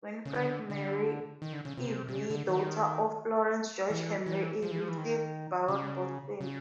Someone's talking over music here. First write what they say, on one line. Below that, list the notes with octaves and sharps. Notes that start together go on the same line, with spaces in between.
Winifred Mary Irby, daughter of Florance George Henry Irby, fifth Baron Boston.
C#3
D3
D3
D#3
D3
C#3
C3
C3
C#3
D3
D#3
E3
E3
F3
E3
F3
E3
D#3
C#3
C#3